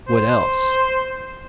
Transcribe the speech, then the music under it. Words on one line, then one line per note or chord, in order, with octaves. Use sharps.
What else?...
C5